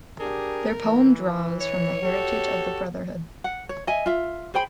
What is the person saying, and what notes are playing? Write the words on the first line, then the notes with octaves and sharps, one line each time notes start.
Their poem draws from the heritage of the brotherhood.
D4 G4 G#4 A#4
E3
C#5
F#4 G4 A4
F#5
C#5
D#5 E5 G#5
F4 E5
G#4 C5 G5 B5